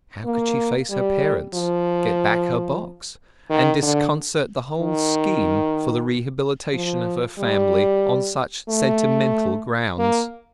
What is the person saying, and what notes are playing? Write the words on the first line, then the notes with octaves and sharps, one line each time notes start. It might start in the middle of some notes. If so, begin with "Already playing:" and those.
How could she face her parents, get back her box, and disconcert the whole scheme for the rehabilitation of her family on such sentimental grounds?
A#3
G3
F3
D#3
D3
D#3
F3
G3
A3
A#3